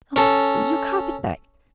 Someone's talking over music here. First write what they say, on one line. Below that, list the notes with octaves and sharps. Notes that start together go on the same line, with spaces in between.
Oh! your carpet-bag.
C#4 A4